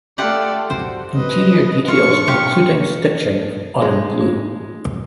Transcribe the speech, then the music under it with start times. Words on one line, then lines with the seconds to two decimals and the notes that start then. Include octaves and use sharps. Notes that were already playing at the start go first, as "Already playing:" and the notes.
Interior details, including stitching are in blue.
0.18 A3 F4 G4 D5 F#5
0.70 F#4 C5
1.14 B4 D#5
1.88 D4 F4 C#6
2.28 F4 G4
3.82 G#3